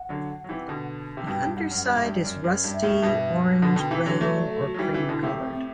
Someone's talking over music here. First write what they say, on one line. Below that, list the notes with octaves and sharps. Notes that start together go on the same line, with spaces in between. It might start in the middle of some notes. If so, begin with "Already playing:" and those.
The underside is rusty, orange, brown, or cream colored.
Already playing: F#5
D3 F#3
F#3
C3 E3
B2 D3
C3
G2 B2 G5
G2
G2 F#5
F#2
G2 D5
A2
G2
D5
F#2
F#2 D5
G2 D5
E5
F#2 A2
G2 B2
B2 D3 F#5
B2 D3 G5
C3 E3
D3 F#3 B4
F#3 A3 B4
D5
A4
F#4
F#3
E3 G3 F#4
C3 E3
B2 D3 E4
A2 C3
C4
C4